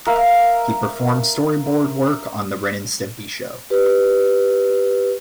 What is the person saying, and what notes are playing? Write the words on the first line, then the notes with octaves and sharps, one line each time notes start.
He performed storyboard work on "The Ren and Stimpy Show"'.
A#4 E5 F5
G4 B4